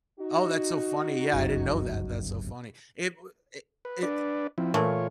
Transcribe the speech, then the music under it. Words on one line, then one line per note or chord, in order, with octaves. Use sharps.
Oh, that's so funny. Yeah, I didn't know that. That's so funny. It w i i
D#4 F#4
G1 C#2 F#2
B4
D4 B4 D5
F3 C4 E4
A#2 E3 A3 F4 C#5